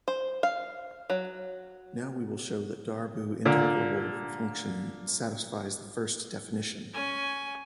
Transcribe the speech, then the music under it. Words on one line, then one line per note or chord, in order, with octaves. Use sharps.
Now we will show that a Darboux integrable function satisfies the first definition.
C5
F5
F#3
A#2 D3
C#4 G#5